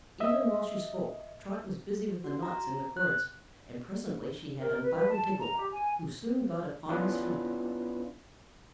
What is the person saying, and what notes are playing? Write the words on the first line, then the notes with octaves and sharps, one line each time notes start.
Even while she spoke Trot was busy with the knots in the cords, and presently she had unbound Tiggle, who soon got upon his feet.
D#5 E5
F#4
A#5
F#6
A#4
B4
B4
A5
A#5
G4
G#5
B3 C#4 D4 E4 F4 B4